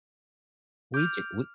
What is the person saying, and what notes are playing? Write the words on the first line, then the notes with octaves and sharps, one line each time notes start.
We ju we
D6 F6 G6